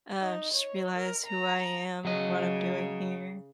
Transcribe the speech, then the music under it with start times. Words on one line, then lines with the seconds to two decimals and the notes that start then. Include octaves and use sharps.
uh, just realize who I am and what I'm doing here.
0.21 D#4
0.54 C#5
0.97 A#4
1.26 A#5
2.05 C#3 F#3 D#5